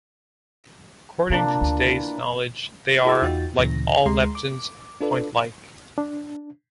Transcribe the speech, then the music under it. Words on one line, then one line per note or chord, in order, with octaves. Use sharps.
According to today's knowledge they are, like all leptons, point-like.
C3 F3 A#3 D4
D2 C#3
E3
E4 F#4 G#4 B5 D6 E6
E2 D#4 F4 F#4 G5 A6
D2 A#2 C#3 E3 A#6
D2 G#3 A#5 C6 C7
D6
D4 F4 A4 B4 D5
D4